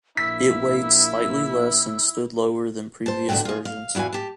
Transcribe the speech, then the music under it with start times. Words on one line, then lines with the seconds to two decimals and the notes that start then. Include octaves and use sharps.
It weighed slightly less and stood lower than previous versions.
0.17 A#1 A#3 E4 E6 B6
3.06 C5 A5
3.29 E2 D3 F3 A3 F#4 G5
3.45 F4 G#4
3.65 F5
3.95 E2 E4 F#4 F5 G#5
4.13 G4 A5